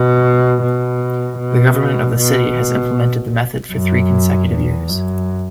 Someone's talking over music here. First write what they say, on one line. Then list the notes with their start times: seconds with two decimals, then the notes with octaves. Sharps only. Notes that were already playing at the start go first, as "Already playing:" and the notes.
The government of the city has implemented the method for three consecutive years.
Already playing: B2
0.61 B2
1.39 B2
2.17 B2
3.72 F#2
4.51 E2
4.89 F#2